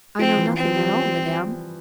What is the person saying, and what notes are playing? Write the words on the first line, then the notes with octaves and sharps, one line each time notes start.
"I know nothing at all, Madame."
F3 C4
E3
C4
F3
G3